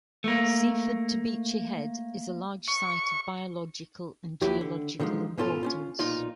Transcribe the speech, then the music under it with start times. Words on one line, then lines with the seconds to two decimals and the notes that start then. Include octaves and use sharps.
Seaford to Beachy Head is a large site of biological and geological importance.
0.24 A3 A#3
2.68 C#6
4.41 D#2 F#3 E4 G4 B5
4.61 D3
5.00 D3 D#3 F3 F#3 G#3
5.38 G#2 B2 C#4 F4 A4 A5
5.63 C#4 D#4 F4
5.99 B1 A#2 D#4 F4 D5